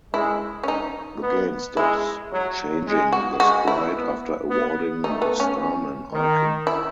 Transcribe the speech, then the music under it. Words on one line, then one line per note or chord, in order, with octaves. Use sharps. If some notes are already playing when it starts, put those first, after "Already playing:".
The game stops changing the sprite after awarding the starman icon.
G#3 E4
C#4
D#4
B3
G#3 E4
F#3
G#3
F#4
G#3 F#4
E4
B3
B3
A3 D#4
B3
C#4
D#3
E4